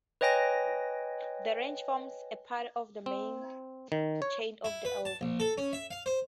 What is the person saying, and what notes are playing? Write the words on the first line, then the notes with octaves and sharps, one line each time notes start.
The range forms a part of the main chain of the Alps.
B4 C#5 D#5 G5 G#5 A#6
C4
D#3
C#5
E4
B4
A5
A#1
A4
C#4
E5
F5
C5